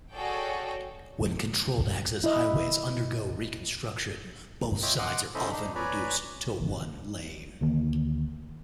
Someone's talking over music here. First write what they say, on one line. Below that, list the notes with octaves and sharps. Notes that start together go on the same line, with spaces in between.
When controlled-access highways undergo reconstruction, both sides are often reduced to one lane.
F#4 G#4 A4 C#5 D5 G5
E4 D#5
F4 C#5 D#5 E5 G5
D#5 F#5 C6 D6 D#6
C#4 E4 A4 C5 D#5 E5
D4 D#4
B4 C#5 D5 G#5 A#5 B5
D2 D#3 A#3